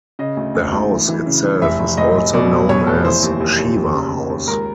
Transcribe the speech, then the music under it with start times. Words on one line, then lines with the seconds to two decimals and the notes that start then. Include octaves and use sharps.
The house itself is also known as "Shiwa House".
0.19 C#3 D#5
0.37 D2
0.55 D2
0.72 D2
0.91 E3
1.08 E3
1.26 C#3
1.44 E3
1.62 F1 E5
1.80 F1
1.97 F1 D#5
2.16 F1
2.33 B2 D5
2.51 F1
2.69 B2 C#5
2.87 F1 A4
3.05 E3 C5
3.23 D#2
3.40 D#2
3.58 D#2
3.76 D#2
3.94 C#3
4.12 D#2
4.30 D#2
4.48 C#2 A#4